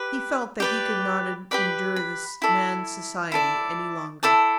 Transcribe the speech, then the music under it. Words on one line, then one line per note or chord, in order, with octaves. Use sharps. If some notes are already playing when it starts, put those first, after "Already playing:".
He felt that he could not endure this man's society any longer.
Already playing: G4 B4
G4 B4 D5
G4 B4 D5 B5
B5
E4 A4 D5
E4 A4 D5
E4 A4 D5 A5